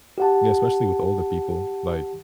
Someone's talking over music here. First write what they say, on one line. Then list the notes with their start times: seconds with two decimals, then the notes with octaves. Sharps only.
Yeah, especially with older people. Like,
0.18 G4 F#5 A5